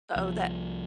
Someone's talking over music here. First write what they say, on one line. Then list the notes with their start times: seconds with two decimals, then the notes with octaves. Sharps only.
Oh, that
0.16 C2 F3